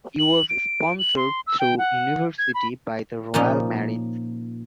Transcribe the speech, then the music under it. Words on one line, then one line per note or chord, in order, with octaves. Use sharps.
He was sponsored through university by the Royal Marines.
F#7
D7
F#7
C6
E6
G5
F#5
G#6
B5
A#2 F3 C#4 D#4